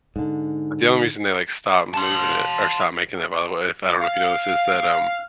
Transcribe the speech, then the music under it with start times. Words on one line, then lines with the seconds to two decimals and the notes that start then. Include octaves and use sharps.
The only reason they like stopped moving it or stopped making it, by the way, if I don't know if you know this, is that, um,
0.16 G#2 D3
1.94 A5 C6
4.01 F5